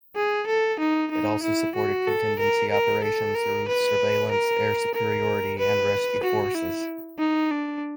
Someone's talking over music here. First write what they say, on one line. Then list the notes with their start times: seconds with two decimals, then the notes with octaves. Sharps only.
It also supported contingency operations through surveillance, air superiority and rescue forces.
0.16 G#4
0.47 A4
0.80 D#4
1.11 D#4
1.43 E4
1.75 F#4
2.07 A4
2.40 A#4
2.72 A#4
3.04 A4
3.35 A#4
3.68 B4
4.31 A#4
4.95 A#4
5.59 B4
6.23 F#4
6.55 E4
7.19 D#4
7.51 D4